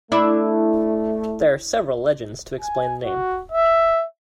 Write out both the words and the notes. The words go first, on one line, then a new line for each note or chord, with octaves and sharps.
There are several legends to explain the name.
A3 D4 E4
G#5
F#4
E5